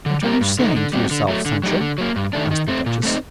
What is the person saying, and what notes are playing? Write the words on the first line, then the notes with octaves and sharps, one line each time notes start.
"What are you saying to yourself, Sancho?" asked the duchess.
D3
G3 C4 G4 A#4
G2
D3 A3 D#4
D3
G3 C4 F#4
D3
F#3 A3
D3
F#3 A3 D#4 G4
D3
F#3 A#3
G2
D#3 A3 D4
D#3
A3 C4
A#2
A3 C4 D#4